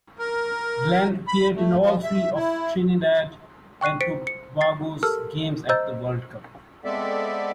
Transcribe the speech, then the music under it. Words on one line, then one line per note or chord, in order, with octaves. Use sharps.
Glen appeared in all three of Trinidad and Tobago's games at the World Cup.
A#4
B5
A3
F3
E5
E4
G5 C#6 F#6 C7 D#7
C5 A6 B6 C#7 D7
C#7
A6 C7
G4 A4 A#4 A5 E6 F6
C5 D#5 A#5 E6 G6 A6
G#3 B3 C4 A4 D5 E5